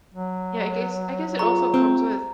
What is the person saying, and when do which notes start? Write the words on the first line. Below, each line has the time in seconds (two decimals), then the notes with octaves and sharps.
Yeah, I guess I guess it also comes with
0.14 F#3
1.39 F4 G#4 A#5 C#6
1.74 C4